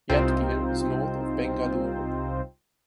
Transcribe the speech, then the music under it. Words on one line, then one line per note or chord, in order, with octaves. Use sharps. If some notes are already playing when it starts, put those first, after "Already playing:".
Yadgir is north of Bengaluru.
C2 C3 C4 D#4 F4 C5